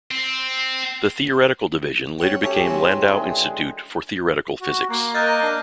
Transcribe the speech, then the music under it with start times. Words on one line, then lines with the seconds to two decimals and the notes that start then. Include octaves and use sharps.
The theoretical division later became Landau Institute for Theoretical Physics.
0.11 C4
2.18 C#4 F#5 G5
2.43 A3 C#4 G4 C#5 G#5
2.65 C#3 E3 F#3 B3 C6
3.09 D3 G#3 G#4
4.62 F#4
4.90 A#3
5.15 A#4 D#5 F#6 G6 A6
5.43 D4